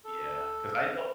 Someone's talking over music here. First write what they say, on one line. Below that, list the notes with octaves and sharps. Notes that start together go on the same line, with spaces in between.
Yeah, 'cause I know
A4